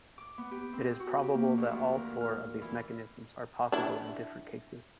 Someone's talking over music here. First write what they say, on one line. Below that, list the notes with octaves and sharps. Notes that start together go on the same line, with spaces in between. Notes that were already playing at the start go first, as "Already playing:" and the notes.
It is probable that all four of these mechanisms are possible in different cases.
D6
B3
G4
C4
F#4
G4
A#3
D2
F3
A#4
F6
E3
D4 E4